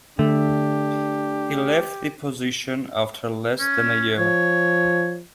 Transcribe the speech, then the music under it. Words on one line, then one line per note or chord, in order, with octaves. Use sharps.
He left the position after less than a year.
D3 A3 D4 G4
C#4
F3 C#5